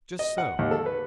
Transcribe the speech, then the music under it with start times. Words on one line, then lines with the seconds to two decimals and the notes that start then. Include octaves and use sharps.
Just so.
0.19 D#5
0.38 F#5
0.59 D#2
0.71 A4
0.86 B4